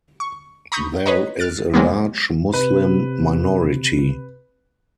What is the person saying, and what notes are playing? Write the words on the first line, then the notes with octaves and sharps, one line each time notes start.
There is a large Muslim minority.
C#6
A#5 B5 C#6 D#6 G6 B6
B4 C#5 D#5 A#5
F6 F#6 A6 D7
C3 F#3 G#3 A#3 B3
C3 B4